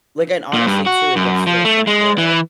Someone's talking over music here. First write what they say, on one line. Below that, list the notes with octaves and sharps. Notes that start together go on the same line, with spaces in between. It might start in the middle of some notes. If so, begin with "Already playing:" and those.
like, and, honestly, too, it gets to a point where
A#2
G2
F#4
F#2
F3
A3
G#3
E3